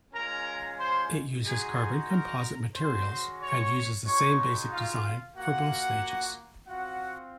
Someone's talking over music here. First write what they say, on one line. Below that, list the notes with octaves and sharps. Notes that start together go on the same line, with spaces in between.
It uses carbon composite materials and uses the same basic design for both stages.
G#3 C#4 F4 A#4 A#5
C5 C6
G#3 D#4 F#4 G#4 G#5
A#4 A#5
G#3 C#4 F#4 C5 C6
C#5 C#6
G#3 D#4 F#4 C#5 C#6
F4 F5
A#3 F4 F#4 F#5
C4 F4 F#4 F#5